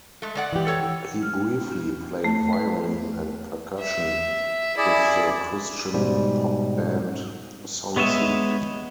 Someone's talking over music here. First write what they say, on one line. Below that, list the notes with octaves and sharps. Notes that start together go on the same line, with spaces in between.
He briefly played violin and percussion with the Christian pop band Sonseed.
G#3 A3
G#3 D5 F#5
E3 G4
A4 C#5
F6
A3
B4
E5
E4 G#4 D5
G#2 B2 G3
G#3 B3 C#5 D#5 E5